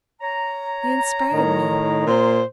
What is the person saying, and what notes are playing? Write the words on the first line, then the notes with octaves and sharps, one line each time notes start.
"You inspired me."
C#5 A#5
A2 D#3
A#2 C5